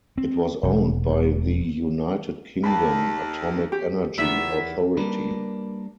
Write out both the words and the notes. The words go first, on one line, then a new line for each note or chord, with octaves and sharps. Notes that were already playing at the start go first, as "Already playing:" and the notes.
It was owned by the United Kingdom Atomic Energy Authority.
C4
E1
D#2 A5 B5
G4
E2 D#3 F3 E5
G3 A#3 D4 A#4 B4